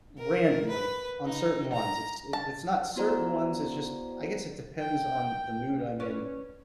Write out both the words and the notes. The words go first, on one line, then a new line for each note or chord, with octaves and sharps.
randomly, on certain ones, it's i it's not certain ones, it's just I guess it depends on the mood I'm in
A#4
B4
D#4
A#5
A5
B3 E4 F#4 C5 D5 A#5
G5
C#4 B4 D5